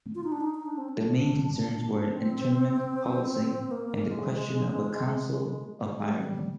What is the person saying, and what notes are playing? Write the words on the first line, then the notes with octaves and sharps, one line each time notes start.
The main concerns were internment, policing and the question of a Council of Ireland.
F4
D#4
D4
D#4
D#4
D4
C4
D4
C4
A#3
G#3
G#3
G3